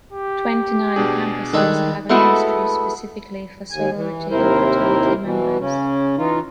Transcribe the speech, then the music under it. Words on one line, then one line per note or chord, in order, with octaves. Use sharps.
Twenty-nine campuses have a ministry specifically for sorority and fraternity members.
G4
B2 D4 G#4
D#3 G3 G#3 A4 F#6
G#3 A3 B3 E4 F#4 A4
D#2 G#5
E3
D#2 C3 E4 A#4 C5
B2 E3
C#3 C#4
E3 D#4 F4